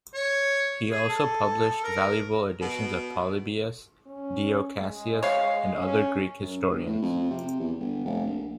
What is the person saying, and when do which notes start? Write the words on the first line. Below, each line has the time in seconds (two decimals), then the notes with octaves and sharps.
He also published valuable editions of Polybius, Dio Cassius and other Greek historians.
0.14 C#5
0.90 G#4
1.09 A4
1.84 A#4
2.61 B2
4.07 C#4
4.77 G#3
5.23 C#5 F5
5.77 C#4
6.42 F#2
6.71 G1
6.87 A2
7.02 F2
7.31 C3
7.60 E2
7.80 G1
8.05 F1
8.26 A#1